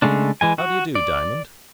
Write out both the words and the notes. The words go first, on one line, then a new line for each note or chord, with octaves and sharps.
"How do you do, Diamond?"
C#3 G#3 A3 D4
E3 G#3 G#5
F#4
D5